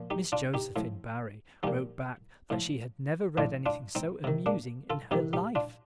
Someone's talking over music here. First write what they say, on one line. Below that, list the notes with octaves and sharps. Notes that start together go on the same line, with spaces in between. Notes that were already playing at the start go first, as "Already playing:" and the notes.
Miss Josephine Barry wrote back that she had never read anything so amusing in her life.
Already playing: A#2 F3
D#4 G4
D4 F4
D#4 G4
A2 F3
A#2 F3 D#4 G4
A2 F3
A2 F3 D4 F4
D4 F4
C4 D#4
C3 D#3
A#3 D4
F4 A4
C3 D#3 D#4 G4
D#4 G4
D4 F4